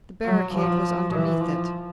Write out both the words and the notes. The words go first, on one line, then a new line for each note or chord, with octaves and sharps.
The barricade was underneath it.
F#3
F3
E3
F3